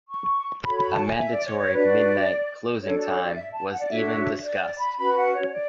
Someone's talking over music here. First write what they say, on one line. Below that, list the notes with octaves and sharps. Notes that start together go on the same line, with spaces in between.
A mandatory midnight closing time was even discussed.
C#6
F#4 A4 C#5 B5
B5
A5
G#5
E5
D5
C#5
C#5
D4 F#4 B4 D5
D4 F#4 A4 C#5
D5
C#5
D5
E5
A5
F#5
D5
D4 F#4 A4 C#5 E5
D5
D5
B5
C#4 F#4 B4 B5
F#5
C#5
C#5
D5